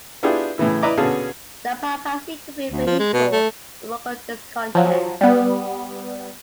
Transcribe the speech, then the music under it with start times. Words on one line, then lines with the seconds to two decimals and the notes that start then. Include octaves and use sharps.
The Papacy could be a vehicle for local discontent.
0.23 B3 D4 E4 F4 G4 G#4
0.58 A2 C#3 E3 E4
0.83 E4 B4 D5 D#5 A#5 D6
0.97 B2 D3 C#4 G#4 F5 A5
2.71 D2
2.87 F3
2.99 G#3
3.13 B2
3.32 A3
4.75 F3 F#3
5.21 G3 B3